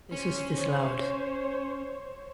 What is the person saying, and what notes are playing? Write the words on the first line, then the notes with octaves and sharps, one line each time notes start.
This was disallowed.
C#4 C5 C#5